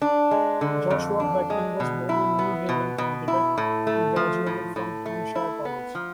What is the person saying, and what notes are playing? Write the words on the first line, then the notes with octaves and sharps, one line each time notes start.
Joshua Beckman was born in New Haven, Connecticut., and graduated from Hampshire College.
D4
G#3
D3
F2
D4
G#3
B2
E4
B3
B2
B2
E4
A2
A3
F3
A2
A2
A3
E4
B3
F3